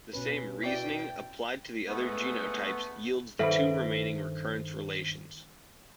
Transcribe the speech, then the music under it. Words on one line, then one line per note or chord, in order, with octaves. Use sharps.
The same reasoning, applied to the other genotypes yields the two remaining recurrence relations.
B2 C#4 B4
E4 F#4 D5 G5
G#3 A3 B3
G2 D#3 A4 B4 C5 E5 F#5 B5